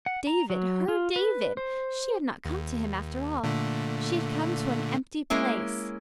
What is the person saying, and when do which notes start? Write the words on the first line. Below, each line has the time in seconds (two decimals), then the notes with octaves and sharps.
David--her David--she had not come to him after all; she had come to an empty place.
0.06 F#5
0.27 A#5
0.50 F#3
0.88 F4
1.16 B4
1.57 C5
2.45 D#2
3.43 A#2 D3 A3
5.30 G#3 A#3 C#4 E4